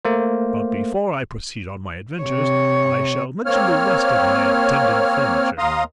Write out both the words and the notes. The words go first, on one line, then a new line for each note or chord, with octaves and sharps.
But before I proceed on my adventures, I shall mention the rest of my attendant furniture.
A3 A#3 C5
C3 C#5
A#3 C4 C#5 F6
D#2 F5 A#5 C6 D#6